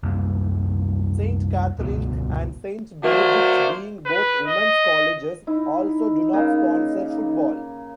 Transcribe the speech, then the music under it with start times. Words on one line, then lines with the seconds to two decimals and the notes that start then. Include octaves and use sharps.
Saint Catherine and Saint Benedict, being both women's colleges, also do not sponsor football.
0.03 C2 F#2 A#3
1.79 G1 C#2 B2
3.04 F#3 A3 A#3 C5 D5
4.06 B4
4.48 D#5
5.47 D#4 E4
6.33 C#3 A#3